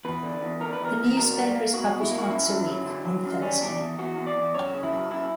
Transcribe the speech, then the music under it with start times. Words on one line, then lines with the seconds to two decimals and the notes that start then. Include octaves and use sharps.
The newspaper is published once a week on Thursday.
0.05 E2 B4
0.23 D3
0.42 E2
0.61 D3 A#4
0.73 B4
0.80 E2
0.85 A#4
0.98 E2
1.17 B2 A#4
1.36 G3
1.55 A#3
1.73 B2 F#4
1.92 B2
2.01 E4
2.11 A#3
2.19 F#4
2.29 F#2 E4
2.48 F#2
2.67 F#3
2.86 D3
3.05 F#3
3.24 F#2
3.42 G3 C#4
3.61 E2 D4
3.79 E2
3.98 E2 F#4
4.17 E2
4.27 D5
4.36 E2
4.55 F#2 C#5
4.73 C#3
4.83 E4
4.92 F#2
5.11 F#2 E4